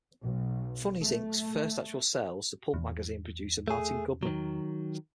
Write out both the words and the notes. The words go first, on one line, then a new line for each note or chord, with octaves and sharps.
Funnies, Inc.'s first actual sale was to pulp magazine publisher Martin Goodman.
B1
A3
E2
A3 G#4
D#3 F#3